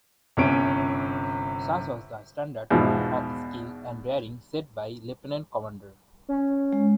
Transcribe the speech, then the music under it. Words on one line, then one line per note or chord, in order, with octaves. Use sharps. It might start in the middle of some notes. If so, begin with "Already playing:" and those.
Such was the standard of skill and daring set by Lt.Cdr.
G1 C3 C#4 D7
E2 G#2 B2 F3
C#4
G#3